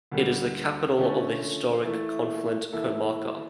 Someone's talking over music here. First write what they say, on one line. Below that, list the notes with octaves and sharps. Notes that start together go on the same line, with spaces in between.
It is the capital of the historical Conflent comarca.
D2 D3 G3 A#3
D3 F3 A3 C#4
E3 A3 E4
E3 A#3 E4 A4